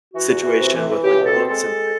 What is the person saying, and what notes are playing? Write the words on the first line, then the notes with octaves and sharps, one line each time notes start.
situation with, like, books and things,
E3 F#4
E2
E3
C3
E3
E3
C#2 G4
B2
A4
C4
G#3 A4
G#3